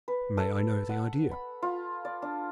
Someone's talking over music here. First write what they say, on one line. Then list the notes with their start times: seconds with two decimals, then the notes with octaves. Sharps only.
"May I know the idea?"
0.08 B4
0.37 A4
0.89 F#5
1.31 B5
1.62 F4
2.05 D5
2.22 D4